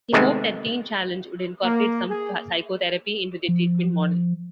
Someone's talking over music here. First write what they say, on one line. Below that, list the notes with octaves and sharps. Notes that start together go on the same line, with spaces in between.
He hoped that Teen Challenge would incorporate some psychotherapy into their treatment model.
C3 D#3 G#3 A3 B3 C4
A#3
G#4
F3